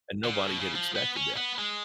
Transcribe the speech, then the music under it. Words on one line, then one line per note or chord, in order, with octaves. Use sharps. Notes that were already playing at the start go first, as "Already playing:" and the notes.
and nobody had expected that.
D3
C#3
B2
C#3
F3
B3
C#4
B3
G#3